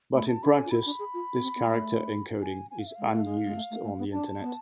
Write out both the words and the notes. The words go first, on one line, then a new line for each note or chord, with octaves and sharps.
But in practice this character encoding is unused on the Internet.
A3 B5
A5
D4 B5
G#5
F4
E4 B5
D4
G#4
F4
B3
C4
B3
G#3
A3
G#5
G#5
F5
E5
G#3 F5
A3
G#3
G#3
A3
A3
A3
B3
D4 A5
B3